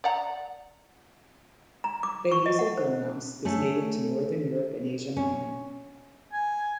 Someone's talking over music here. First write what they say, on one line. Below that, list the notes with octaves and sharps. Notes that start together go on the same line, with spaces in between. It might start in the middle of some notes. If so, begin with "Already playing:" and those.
The hazel dormouse is native to northern Europe and Asia Minor.
D5 F#5 A#5
A#5
D6
C#6
D#5
F#5
C5
A3 C#4 A4
C#4
G#5